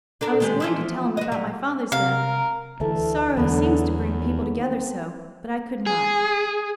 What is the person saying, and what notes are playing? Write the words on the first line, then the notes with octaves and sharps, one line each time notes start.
I was going to tell him about my father's death, sorrow seems to bring people together so, but I could not.
D4 A4 A#4
D#3 G#3 G4
E3 F3 E4
F#4 D#5
F#3 G3
C3 A#4 F5
D2 E3 A4 E5
E2 D3 F#3 B3
D#2
C4
G#4